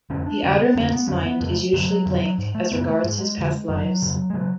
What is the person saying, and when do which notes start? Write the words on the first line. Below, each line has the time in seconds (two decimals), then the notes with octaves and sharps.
The outer man's mind is usually blank as regards his past lives.
0.10 F2 D3 C#4
0.26 D4
0.43 F2 D3 C#4
0.60 B3
0.75 F2 D3 C#4
0.92 B3
1.08 F2 D3 C#4
1.25 B3
1.41 F2 C#3 A3
1.73 F#2 D3 F#3
2.06 F2 D3
2.38 G#2
2.55 A3
2.72 F#2 C#3 B3
2.88 A3
3.04 G#2 G#3
3.37 F2 D3
3.69 F#2 C#3 F#3
4.02 F2 C#3
4.30 G#3
4.34 C#3 F#3